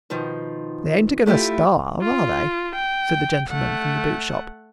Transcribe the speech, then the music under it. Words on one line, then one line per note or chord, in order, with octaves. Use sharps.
"They ain't a-going to starve, are they?" said the gentleman from the boot-shop.
B2 D#3 F3
A3 E4 F4 G4
F4
G5
A3 F#5